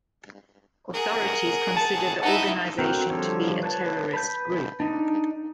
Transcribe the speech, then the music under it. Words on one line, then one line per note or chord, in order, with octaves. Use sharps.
Authorities consider the organization to be a terrorist group.
G#4 A#4 F#5
A5
D#4 E4 F#5
D3 C4 F#4 A#4 G5
D3 F3 G3 A4 C#5
B4 C#5 A5
B4 G6
D4 D#4